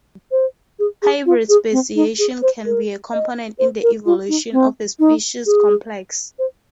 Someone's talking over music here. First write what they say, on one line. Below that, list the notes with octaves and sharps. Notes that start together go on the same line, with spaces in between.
Hybrid speciation can be a component in the evolution of a species complex.
C5
G#4
G#4
F4
G#4
C4
D#4
G#4
C5
A#4
D#5
C5
A#4
F4
D#4
C4
D#4
G#4
C5